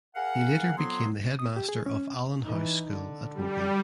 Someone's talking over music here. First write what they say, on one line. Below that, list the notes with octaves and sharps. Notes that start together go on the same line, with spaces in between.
He later became the headmaster of Allen House School at Woking.
G#4 A#4 F5 F#5
F2 F#3 B3 C6
D#6
G4
G#4
C#4
E3 D#4
D3
G3